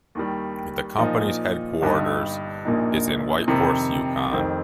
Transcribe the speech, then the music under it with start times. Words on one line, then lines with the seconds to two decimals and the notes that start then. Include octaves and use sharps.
The company's headquarters is in Whitehorse, Yukon.
0.15 D#2 D#3 G3
0.98 A#2 F3 D#4
1.82 G1 G2 G3 D#4
2.65 A#1 A#2 A#3 D#4
3.48 F2 C3 D#3
4.31 F1 F2 D#3 C4 D#4